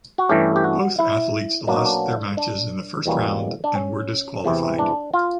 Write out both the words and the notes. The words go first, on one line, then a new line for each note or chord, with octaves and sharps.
Both athletes lost their matches in the first round and were disqualified.
F#4
G2 E3 A3 C#4 G4
G4
F#4
E4
B2 F#3 A#3 C#4 D4
D#4
D4
D4
E2 B2 G3 A#3 C#4
D4
C#4
E2 C3 E3
D4
F4